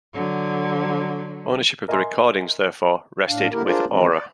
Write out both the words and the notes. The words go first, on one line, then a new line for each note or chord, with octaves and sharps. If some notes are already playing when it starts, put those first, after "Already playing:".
Ownership of the recordings therefore rested with Aura.
D3 F#3
A#4 D#5 E5 G#5 A#5 C6
A2 D4 F5
D3 A#3 E4 G4 A#4
D4 F4 G#4 A#4 C5 D5
D#3 E3 F#3 G#3 C4
D5